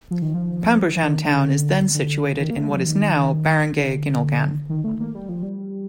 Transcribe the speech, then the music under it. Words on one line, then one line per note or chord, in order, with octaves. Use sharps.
Pambujan town is then situated in what is now Barangay Ginulgan.
F3
D#3
F3
D#3
D3
D3
D#3
A#3
A3
G3
F3
D#3
D3
D#3
A3
A#3
G3
F3
G3